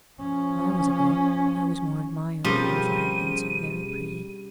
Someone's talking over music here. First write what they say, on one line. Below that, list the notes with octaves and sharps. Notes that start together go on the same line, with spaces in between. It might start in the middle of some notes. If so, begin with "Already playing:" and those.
When I was a girl, I was more admired than if I had been so very pretty.
F3 C#4
B2 F3 G3 C4 C#4 G#4 A#4 D#7